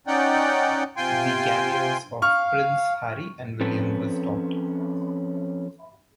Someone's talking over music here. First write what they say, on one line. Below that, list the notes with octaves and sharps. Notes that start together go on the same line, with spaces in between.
The cameos of Prince Harry and William were stopped.
C#4 D#4 D5 F#5 G5
C3 F4 G5 G#5 C6
F5 C#6 F6
F3 C4 C#4 A4 B4